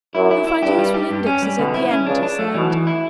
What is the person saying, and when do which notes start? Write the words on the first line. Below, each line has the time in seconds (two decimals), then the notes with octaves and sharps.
"You'll find useful indexes at the end," he said.
0.14 F#2 E4
0.31 E4
0.47 E4
0.62 G2 G4
0.78 G3
0.94 G4
1.10 G2
1.26 C#4
1.42 G3
1.58 B1 B2 D3
1.74 E4
1.91 C#4
2.06 C#2 C#3 D4
2.23 D4
2.39 A3
2.54 B1 B2 E3
2.71 E3
2.87 E4